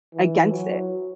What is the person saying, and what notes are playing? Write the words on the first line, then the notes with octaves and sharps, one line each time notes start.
against it.
E3
F#3